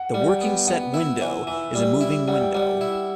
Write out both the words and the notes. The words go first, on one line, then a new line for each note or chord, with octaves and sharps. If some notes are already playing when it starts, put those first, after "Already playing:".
The working set window is a moving window.
Already playing: F#5
G3
G5
B3
B3 F#5
E4
E3
E3 E5
G3
E4
G3 F#5
G5
G3 F#5
E4